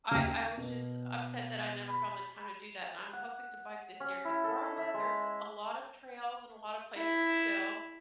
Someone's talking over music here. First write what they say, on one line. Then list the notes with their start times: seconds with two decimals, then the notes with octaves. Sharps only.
I I was just upset that I never found the time to do that, and I'm hoping to bike this year, 'cause where I live, there's a lot of trails and a lot of places to go.
0.11 D#2 C#3 G5 F6
0.57 B2
1.89 B5
3.13 F#5
4.00 C#4
4.25 E4
4.44 A4
4.78 E5
4.94 G#3
6.96 E4